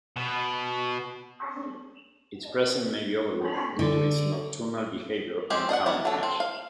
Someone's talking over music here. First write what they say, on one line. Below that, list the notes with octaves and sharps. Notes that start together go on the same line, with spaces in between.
Its presence may be overlooked due to its nocturnal behaviour and camouflage.
B2
D3
G#3 C4 C#4 G4
D4 D#5 F5 F#5
G3 E4 A#4 D5 F#5
F#3 A4
C4
F5